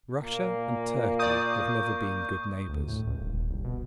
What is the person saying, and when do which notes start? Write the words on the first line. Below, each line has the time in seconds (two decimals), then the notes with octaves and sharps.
Russia and Turkey have never been good neighbors.
0.22 A#2 A#3
1.19 D5 C#6 D#6 G6
2.69 D2
2.88 A2
3.07 C#2
3.21 D#1
3.50 C2
3.64 B2